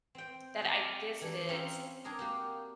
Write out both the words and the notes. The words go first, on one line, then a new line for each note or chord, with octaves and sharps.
that I visited
C4 G5
G4 F5
E3 D4
C4 C#4 B4 E5 F5 A#5
D4 G#4 A#4 D#5
A#3 F#4 G4